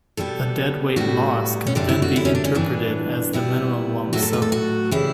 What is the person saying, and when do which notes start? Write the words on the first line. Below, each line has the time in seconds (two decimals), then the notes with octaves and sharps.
The deadweight loss can then be interpreted as the minimum lump sum.
0.17 B2 G3 B3 A4
0.96 A2 G3 B3 F#4
1.67 C#4
1.75 F#2 D3 G3 D4
1.89 E4
2.02 F#4
2.16 E4
2.25 C#4
2.35 D4
2.44 C#4
2.55 G2 E3 B3 D4
3.33 B2 G3 B3 E4
4.13 A2 F#3 A3 F#4
4.22 A4
4.33 B4
4.42 A4
4.52 F#4
4.91 C#3 E3 G3 E4